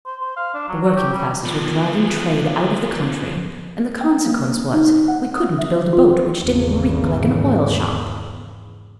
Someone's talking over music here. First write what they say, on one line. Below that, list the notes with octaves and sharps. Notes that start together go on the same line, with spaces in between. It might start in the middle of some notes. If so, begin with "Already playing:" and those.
The working classes were driving trade out of the country, and the consequence was, we couldn't build a boat which didn't reek like an oil-shop.
C5
C5
F5
D4
F#3
F#3
G4
G3
F3 B3
G5
A#3
D#4
F#5
D#6
E5
F4
G#1 E2 C#3